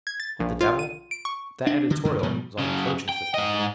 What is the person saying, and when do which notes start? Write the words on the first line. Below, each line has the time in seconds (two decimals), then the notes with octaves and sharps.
"What the devil--that editorial was on the coaching system."
0.07 G#6
0.20 A6
0.40 A#1
0.61 F4
0.79 D#7
1.11 D7
1.25 C#6
1.67 D4
1.90 D3
2.05 F#2 D3
2.23 G#2 B2 F3 G3
2.58 F#2 C#3
3.09 G5
3.34 G#2 D#5